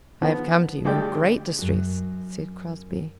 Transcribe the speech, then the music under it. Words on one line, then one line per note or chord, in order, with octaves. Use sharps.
"I have come to you in great distress," said Crosbie.
F3 B3
D2 G3 G#3 D5 G5
F#2 F#4